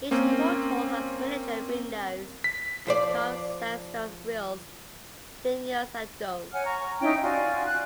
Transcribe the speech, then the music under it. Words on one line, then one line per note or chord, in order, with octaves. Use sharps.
Each porthole has miniature windows and carved sandstone grills, finials and domes.
A#3 C4 C#4
B6
F3 C5 D5
C#5 F#5 G#5 F6
A#5 C#6
C#4 D#4 E4 G5
F4 F#4 D5 G#5
F#6